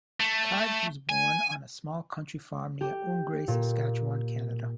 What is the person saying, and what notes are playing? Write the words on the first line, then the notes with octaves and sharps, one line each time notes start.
Kives was born on a small country farm near Oungre, Saskatchewan, Canada.
A3
G#5
G4
A#2